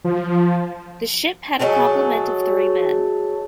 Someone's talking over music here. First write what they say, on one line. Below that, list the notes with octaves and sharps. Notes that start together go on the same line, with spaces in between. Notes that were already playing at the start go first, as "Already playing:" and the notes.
The ship had a complement of three men.
F3
F#3 G#3 A3 F#4